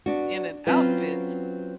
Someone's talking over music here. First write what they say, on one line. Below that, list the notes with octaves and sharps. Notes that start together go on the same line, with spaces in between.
in an outfit
B3 D4 F#4
F#3 C4 C#4 F4 B4